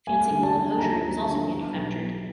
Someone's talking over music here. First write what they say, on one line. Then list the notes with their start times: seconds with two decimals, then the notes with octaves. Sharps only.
Fancy woolen hosiery was also manufactured.
0.07 G3 G#5
0.30 D3
0.43 A5
0.54 D3
0.78 D#2 A#5
1.02 G3
1.24 D3
1.48 B3
1.72 B1
1.96 B3